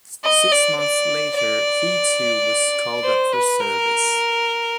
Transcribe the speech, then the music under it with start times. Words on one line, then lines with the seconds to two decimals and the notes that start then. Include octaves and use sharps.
Six months later he too was called up for service.
0.24 D#5
0.52 D5
0.80 D5
1.36 D5
3.04 C5
3.32 B4
3.60 A#4